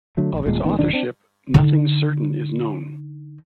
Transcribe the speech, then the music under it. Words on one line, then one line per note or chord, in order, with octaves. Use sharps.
Of its authorship nothing certain is known.
D3 F#3 A3
A#1
D#1 A#2 G#3
A1 D#3 B3
E1 G2 D#3 D4
C4 D4
D3 D#4